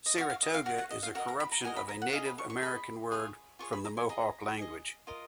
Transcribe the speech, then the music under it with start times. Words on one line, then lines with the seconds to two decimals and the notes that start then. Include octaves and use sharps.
"Saratoga" is a corruption of a Native American word from the Mohawk language.
0.06 D#5
0.18 F#4 C#5 F5
0.30 F5
0.43 D#5
0.54 F5
0.66 F#4 C#5 F5
0.78 F#5
0.91 D#5
1.03 F5
1.15 F#4 A#4 D#5 F#5
1.28 A#5
1.40 B5
1.52 A#5
1.64 F#4 A#4 D#5 G#5
1.76 B5
1.88 A#5
2.02 F#5
2.13 G#4 D#5 F5
2.25 B5
2.38 C#6
2.50 C#6
2.62 G#4 D#5 B5
3.11 F4 G#4 C#5
3.59 F4 G#4 C#5 C#6
3.73 B5
3.85 A#5
3.97 G#5
4.09 G#4 D#5 A#5
4.58 G#4 D#5
5.07 F4 A#4 D#5